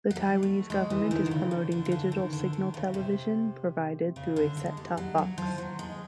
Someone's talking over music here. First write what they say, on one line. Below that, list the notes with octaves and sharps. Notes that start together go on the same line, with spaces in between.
The Taiwanese government is promoting digital signal television, provided through a set-top box.
F#3
G3
A3
G#3
E3
D#3
D3
C#3
D3
D3
C#3
D3
D#3
D3
D#3
C#3
C3
C#3
D3
G#3
G3
F#3
F#3
F3
F#3
G#3